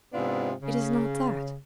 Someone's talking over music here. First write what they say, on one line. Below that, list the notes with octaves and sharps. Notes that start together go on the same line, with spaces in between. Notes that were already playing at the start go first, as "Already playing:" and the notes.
"It is not that."
G#2 C3 B3 D4 E4 F4
C#3